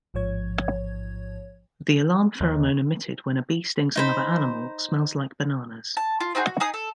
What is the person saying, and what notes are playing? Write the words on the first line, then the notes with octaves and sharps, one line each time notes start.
The alarm pheromone emitted when a bee stings another animal smells like bananas.
A1 G#2 F3 C#5 G#6
D#2
D#4 C5 B5
A5
F4
C4 D#4 F#4 G#4
F#4
D#4 G#4 D#6
A4